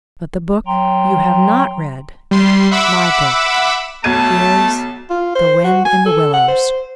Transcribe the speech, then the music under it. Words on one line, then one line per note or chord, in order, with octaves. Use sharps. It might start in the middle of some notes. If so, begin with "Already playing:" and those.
But the book you have not read-- my book--is The Wind in the Willows.
F#3 G5 A#5 C6
G3 C6
E5 F#5 B5 D6 E6
B1 A3 A5 G#6 D#7
F4
C5
F#4
G#5
A4
F#5
C5